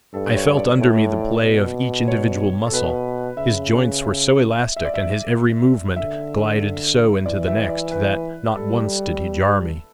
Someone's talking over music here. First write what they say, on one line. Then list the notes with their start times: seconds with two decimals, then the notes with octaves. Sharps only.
I felt under me the play of each individual muscle: his joints were so elastic, and his every movement glided so into the next, that not once did he jar me.
0.14 G2 A4
0.36 C#5
0.57 D5
0.79 A2
1.43 B2
2.08 C#5
2.66 A4
2.73 B2 B4
3.37 C#3 E5
4.76 E5
4.85 D5
4.94 E5
5.96 D3 E5
7.26 E3 D5
7.47 E5
7.69 D5
7.91 B4
8.55 G3 A4